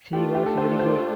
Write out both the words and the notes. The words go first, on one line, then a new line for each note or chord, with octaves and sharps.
She was very good.
A3 D4 F4 G4
G4
A4
C5
C5